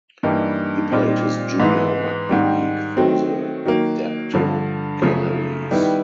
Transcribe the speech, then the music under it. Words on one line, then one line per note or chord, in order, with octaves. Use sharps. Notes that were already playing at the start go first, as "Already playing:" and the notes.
He played his junior rugby league for the Dapto Canaries.
G2 E3 G3 A#3 D#4
A#2 G3 C4 D#4
G#2 E3 G#3 B3
G#2 D#3 G3
D#3 F#3 A3 C4
D#3 F#3 A#3
G2 D3 F3
F#2 C#3 F3 A3
D#3 G3 B3 E4